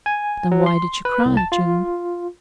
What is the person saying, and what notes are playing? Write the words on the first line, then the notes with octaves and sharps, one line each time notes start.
"Then why did you cry, June?"
G#5
F#3
C6
B4
C2
A5
F4